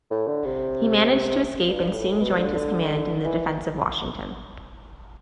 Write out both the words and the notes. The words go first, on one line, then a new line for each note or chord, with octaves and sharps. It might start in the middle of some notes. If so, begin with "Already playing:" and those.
He managed to escape and soon joined his command in the defense of Washington.
A2
D3
C3
G2
A2
B2
D3
D3
E3